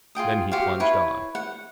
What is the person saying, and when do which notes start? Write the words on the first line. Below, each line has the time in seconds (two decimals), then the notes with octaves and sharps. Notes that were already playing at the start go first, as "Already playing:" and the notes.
Then he plunged on.
0.15 F4 G#4 G5 D#6
0.52 F#4 G4 C5 F5
0.80 E4 B4 C#5
1.35 F#5